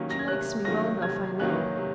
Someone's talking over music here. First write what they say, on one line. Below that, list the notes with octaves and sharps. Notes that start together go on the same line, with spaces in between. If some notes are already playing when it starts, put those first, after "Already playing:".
She likes me well enough, I know.
Already playing: C3 D#3 F#3 A#3 C#4
A#6
G#6
C3 F#6
D#3 F#3 A#3 C#4 A#6
C3 G#6
D#3 F#3 A#3 C#4 F#6
C3